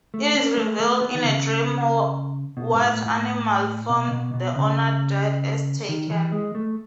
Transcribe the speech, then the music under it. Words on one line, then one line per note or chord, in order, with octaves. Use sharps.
It is revealed in a dream what animal form the honored dead has taken.
A3
C#4
A3
A3
B3
D#3
C#3
B2
G#2
A2
A2
B2
B2
B2
C#3
D#3
E3
G#3
A3